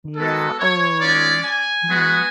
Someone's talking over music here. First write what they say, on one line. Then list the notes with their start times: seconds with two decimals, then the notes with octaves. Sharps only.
Yeah, ooh. Mhm.
0.16 G#3 B3 F#4 A4
0.59 C#5
1.01 G#3 C#4 F4 D5
1.45 G#5
1.87 G#3 B3 F#4